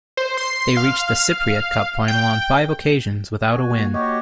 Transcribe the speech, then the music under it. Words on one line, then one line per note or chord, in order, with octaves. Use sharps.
They reached the Cypriot Cup final on five occasions without a win.
C5
C6
F5
G5
F#4 G#5
A#3
F#4 G4 C#5 D#5